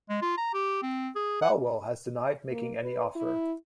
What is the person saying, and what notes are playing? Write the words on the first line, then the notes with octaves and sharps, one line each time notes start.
Falwell has denied making any offer.
G#3
F4
A#5
G4
C4
G#4
F#5
A#3
B4
E4